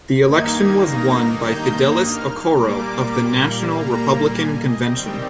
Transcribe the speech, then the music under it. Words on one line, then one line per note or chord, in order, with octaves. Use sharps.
The election was won by Fidelis Okoro of the National Republican Convention.
G2 D#3 A#3 D#4 G#6
A#6
G6
F6
A#2 G3 A#3 D6
A#5
G#5
D#5
D#3 G3 C4 G5